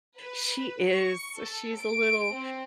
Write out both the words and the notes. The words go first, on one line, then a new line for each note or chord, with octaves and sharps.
she is she's a little
B4
B4
C#6
A4
D7
C4